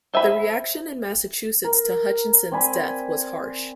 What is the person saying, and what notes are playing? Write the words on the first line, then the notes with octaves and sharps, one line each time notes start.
The reaction in Massachusetts to Hutchinson's death was harsh.
C5 E5 G#5 B5
A#4
C4 D5 G#5 B5